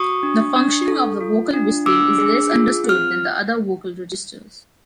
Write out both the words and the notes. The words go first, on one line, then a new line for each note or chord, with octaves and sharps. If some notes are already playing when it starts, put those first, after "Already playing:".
The functioning of the vocal whistling is less understood than the other vocal registers.
Already playing: F#4 C#6 D#6
D4
D4
A4
F4
D4
D4 D6 E6
G#4
F4
C4
F6